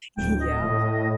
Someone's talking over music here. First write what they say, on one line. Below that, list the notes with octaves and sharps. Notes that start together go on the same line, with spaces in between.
Y yeah,
D1 G5
D#5
A2